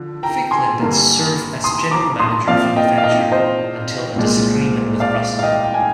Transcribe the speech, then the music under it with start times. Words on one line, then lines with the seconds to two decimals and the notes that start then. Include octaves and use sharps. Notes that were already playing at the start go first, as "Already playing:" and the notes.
Ficklin did serve as general manager for the venture, until a disagreement with Russell.
Already playing: D3 F3
0.23 G5 A#5
0.51 G#5 C6
0.79 G2 D3 G3 A#3
1.64 C6 D#6
1.91 A#5 D6
2.19 C6 D#6
2.48 A#2 F3 C4 D5 F5
2.76 D#5 G5
2.98 F5
3.04 D#5 G5
3.32 C5 D#5
4.16 C2 A#2 G#3
5.00 D5 F5
5.39 F5
5.42 D#5 G5
5.64 G5
5.74 G#5